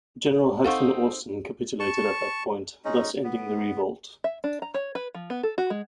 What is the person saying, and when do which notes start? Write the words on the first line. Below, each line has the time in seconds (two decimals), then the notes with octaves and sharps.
General Hudson Austin capitulated at that point, thus ending the revolt.
0.64 C4 D#4 A4 F5 F#5 C#6
1.80 A5 C#6
2.85 G#3 C#4 D#4
3.24 B3
4.24 E5
4.44 D4
4.62 A#5
4.74 C#5
4.95 B4
5.15 F3
5.30 B3
5.43 A4
5.58 F#4
5.70 G#3